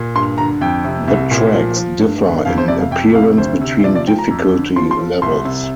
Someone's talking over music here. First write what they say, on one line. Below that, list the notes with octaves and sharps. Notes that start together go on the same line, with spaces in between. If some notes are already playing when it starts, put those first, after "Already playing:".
The tracks differ in appearance between difficulty levels.
Already playing: A#2
G2 C6
D3 A#5
F2 G5
C3
C2
A#2
F3
F3
G2
D3
F2 F5
C5
C3 D5
F5
F2 G5
C3 F5
D2 C5
C3
F3 D5
D5
F3 G5
A#5
F2
D3
F3 C6
C6
F3
C2 C6
C3